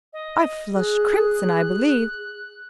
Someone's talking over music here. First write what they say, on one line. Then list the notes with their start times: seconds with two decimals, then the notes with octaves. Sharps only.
I flushed crimson, I believe.
0.13 D#5
0.75 G#4 F#6